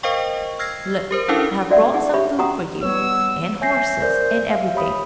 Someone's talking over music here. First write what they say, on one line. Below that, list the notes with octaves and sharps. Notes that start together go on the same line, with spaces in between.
Look, I have brought some food for you, and horses, and everything.
A#4 C5 D#5 F5 G5 C#6
E6 F6 G#6 A#6 C7
G4 A#4 C5
C#4 D4 E4 A4 A#4 F5
F#4 D5 E5 F#5
D#4 G#4 F#5
G4 C#5 E5 B5 C#6
F#4 F#5 G5 A#5 C#6 D#6
G3 B3 C#5 E6
C#5 E5 G#5 G6 A#6 C7
A#4 C5 D5 G6
E5 F5
G4 C#5 B5 D#6